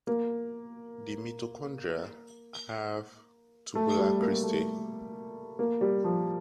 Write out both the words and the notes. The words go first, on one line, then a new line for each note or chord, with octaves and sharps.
The mitochondria have tubular cristae.
A#3
A3
G3
A#3
A3
A#3
G3
F3